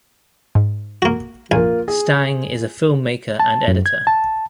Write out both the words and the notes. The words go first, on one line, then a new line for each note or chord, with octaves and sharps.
Stang is a filmmaker and editor.
G#2
A#3 F#4
A#1 A#3 F4 G#5
G#4
A5
F#2
G#6
A5